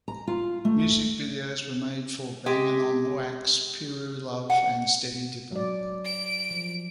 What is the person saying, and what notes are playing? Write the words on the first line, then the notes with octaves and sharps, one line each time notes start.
Music videos were made for "Bangin' on Wax", "Piru Love" and "Steady Dippin"'.
A#5
F4
A3
G#3 G4
F#5
F#3 D5
D7
F3